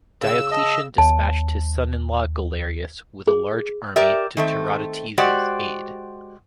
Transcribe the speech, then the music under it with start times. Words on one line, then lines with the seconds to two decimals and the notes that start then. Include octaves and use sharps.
Diocletian dispatched his son-in-law Galerius with a large army to Tiridates's aid.
0.22 C#3 E6
0.51 D#5 A5
0.98 D#2 A5
3.28 G#4
3.96 G4 A#4 D5 E5
4.37 D#3 A3 C4
5.18 G#3 F#4 G4 C5 D5 F#5